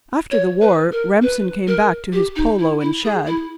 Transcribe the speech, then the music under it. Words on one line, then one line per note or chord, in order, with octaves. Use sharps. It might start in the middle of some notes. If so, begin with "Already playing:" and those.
After the war Remsen came back to his polo and shad.
C#5
B4
A#4
B4
A#4
G4
D#4
E4
E4
G#4
E4